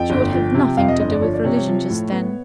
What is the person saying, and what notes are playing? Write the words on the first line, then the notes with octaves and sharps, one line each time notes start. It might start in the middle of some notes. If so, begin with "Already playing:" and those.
She would have nothing to do with religion just then.
Already playing: F2 G5
G1
F3
C3
F2 F5
D#5
G1 D#5
D5
F3 C#5
D5
C3 C#5
C#5
F3
A2
B3